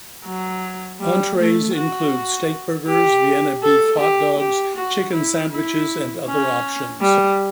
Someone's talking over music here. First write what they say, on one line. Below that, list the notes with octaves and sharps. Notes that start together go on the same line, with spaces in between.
Entrees include steakburgers, Vienna Beef hot dogs, chicken sandwiches and other options.
F#3
G3
A3
F#4
G4
A4
G4
G4
F#4
E4
E4
C#4
G3